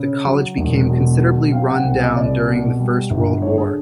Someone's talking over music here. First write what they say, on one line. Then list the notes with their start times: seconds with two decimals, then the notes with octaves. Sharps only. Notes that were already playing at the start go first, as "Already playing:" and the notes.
The college became considerably run down during the First World War.
Already playing: C#3
0.25 F#3
0.57 E1
0.90 B2
1.21 F#3
1.52 C4 F5
1.69 F#5
1.84 C2 F#5
2.00 D#5
2.16 C2 D5
2.48 B2
2.80 G3
3.11 G1
3.42 D3 C#5
3.58 G#4